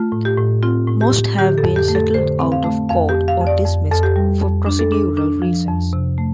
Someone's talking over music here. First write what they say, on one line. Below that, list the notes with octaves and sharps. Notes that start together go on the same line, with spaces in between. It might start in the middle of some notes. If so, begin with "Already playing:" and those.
Most have been settled out of court or dismissed for procedural reasons.
Already playing: A3 F4
A2
G4
A2
C4 F4
A2
G4
A2
D3 G4
A4
F2
G4
A3
A4
D3 C5
C4
F5
A3
F2 F5
G4
F2
F5
F2
D5
F2
F2 A4
G4
G3
F2
D4
A4
D4
D4
F3
F2
C3
A3